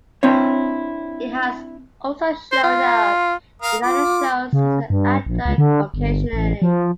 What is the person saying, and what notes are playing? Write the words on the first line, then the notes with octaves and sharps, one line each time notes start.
He has also showed up in other shows as an actor occasionally.
C4 D4 E4 C#5
C5
F4
A#4 F5 D#6
F4 D6
C#3
G2
A#1
C#2
D3
G1
A1
F3